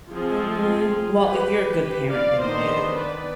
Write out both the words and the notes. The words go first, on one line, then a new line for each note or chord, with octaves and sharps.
Mm, well, if you're a good parent, then, no,
F3 C4 F4 G#4
G4 B4
G4 B4
D5 F5
D#3 B3 D4 C5 D#5
B4 D5